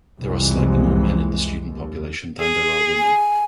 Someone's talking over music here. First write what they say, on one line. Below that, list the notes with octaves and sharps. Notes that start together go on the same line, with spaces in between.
There are slightly more men in the student population than there are women.
C2 F2 C3 E3 G#3
D#2
G#4
G#5